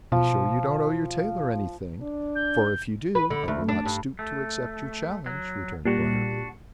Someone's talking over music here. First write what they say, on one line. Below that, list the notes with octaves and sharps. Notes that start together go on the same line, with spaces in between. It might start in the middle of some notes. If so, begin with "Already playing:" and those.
"Be sure you don't owe your tailor any thing, for if you do, I will not stoop to accept your challenge," returned Briarly.
B2 F3
D4
G6
B4
D3
D2
D4
G2
A3
F#3
A#2 G3 D4 F#4